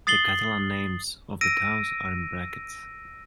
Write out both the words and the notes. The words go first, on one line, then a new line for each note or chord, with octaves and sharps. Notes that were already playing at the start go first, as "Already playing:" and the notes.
The Catalan names of the towns are in brackets.
D#6 A6 C7 F#7 G7
E6 A#6 D7 D#7